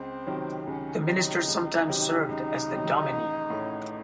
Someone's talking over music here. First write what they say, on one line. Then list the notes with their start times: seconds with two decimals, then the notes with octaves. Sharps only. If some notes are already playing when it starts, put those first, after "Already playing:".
The minister sometimes served as the dominie.
Already playing: C#2 C4
0.27 C3 D#3 F#3
0.67 C#2 C#4
1.07 C3 D#3 F#3 D#4
1.48 C#2
1.89 C3 D#3 F#3
2.29 C#2 D#4
2.69 C3 D#3 F#3
3.10 A1
3.50 A2 A3 C#4